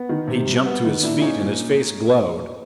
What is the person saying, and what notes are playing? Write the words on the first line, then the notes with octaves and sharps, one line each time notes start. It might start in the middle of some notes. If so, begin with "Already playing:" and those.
He jumped to his feet, and his face glowed.
Already playing: B3
D#3
C3
G3
B3
D#3
A#2 D4 E4
E4
A#3 C#4 D#4
A#2